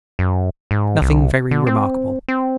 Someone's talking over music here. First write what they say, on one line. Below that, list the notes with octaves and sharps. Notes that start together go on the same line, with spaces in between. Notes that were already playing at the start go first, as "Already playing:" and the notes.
Nothing very remarkable.
F#2
G#2
C2
D3
C4
C4